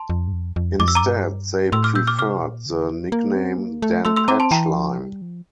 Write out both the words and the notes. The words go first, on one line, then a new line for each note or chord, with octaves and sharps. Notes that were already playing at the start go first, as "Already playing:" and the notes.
Instead, they preferred the nickname Dan Patch Line.
Already playing: A5 C6
F2
G2
F2
F2
F2 D6
E6
A#5 D6
G2
A2 C6 E6
D6 F6
A#2 E6 G6
D6 F6
C3 D6 F6
A#2
D3
A#3
C4
A#3
A3
A3 C6 E6
C6 E6
C4 A#5 D6
A5 C6
E3 G5 A#5
F3
G3
F3